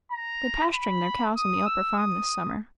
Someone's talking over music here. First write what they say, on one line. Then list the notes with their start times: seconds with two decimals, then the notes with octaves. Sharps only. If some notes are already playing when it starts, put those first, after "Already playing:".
They're pasturing their cows on the upper farm this summer.
0.11 A#5
0.73 B5
1.36 D#6
1.66 E6
1.97 D#6